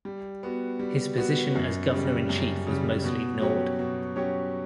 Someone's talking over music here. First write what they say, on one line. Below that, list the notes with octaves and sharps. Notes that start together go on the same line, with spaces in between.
His position as Governor-in-chief was mostly ignored.
G3
B3 F#4
G3
B3 F#4
F#2
C#3 G3
F#2
C#3 G3
B2
F#3 C#4 G4 C#5
B2
F#3 C#4 G4 C#5